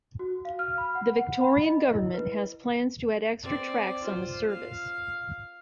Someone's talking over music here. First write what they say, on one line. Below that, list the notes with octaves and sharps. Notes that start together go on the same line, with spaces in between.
The Victorian Government has plans to add extra tracks on the service.
F#4
F5
F6
B5
F#5
F#5
B5
D#5
E4
B4
C4 D5
F4 C5
F5